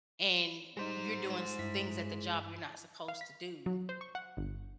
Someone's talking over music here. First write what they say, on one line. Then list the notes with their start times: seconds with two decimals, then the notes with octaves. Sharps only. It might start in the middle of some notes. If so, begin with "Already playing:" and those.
and you're doing s things at the job you're not supposed to do,
0.77 G3 G#3 D#4 C5
1.59 G2 E4 B6
3.08 F5
3.21 B6
3.66 F#3
3.89 C5
4.01 C#6
4.15 F#5
4.37 G1